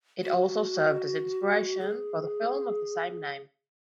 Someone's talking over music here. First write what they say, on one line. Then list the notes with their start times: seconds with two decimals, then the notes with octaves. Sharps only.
It also served as inspiration for the film of the same name.
0.23 F#4
1.80 G#4